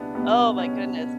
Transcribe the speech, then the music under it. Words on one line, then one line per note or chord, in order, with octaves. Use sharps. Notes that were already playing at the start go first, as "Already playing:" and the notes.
Oh my goodness
Already playing: C#2 B2 G3 B3 D4 E4
C#2 B2 G3 B3
C#4